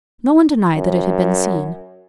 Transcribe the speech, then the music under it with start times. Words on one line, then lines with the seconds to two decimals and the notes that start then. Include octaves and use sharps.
No one denied that it had been seen.
0.76 F#2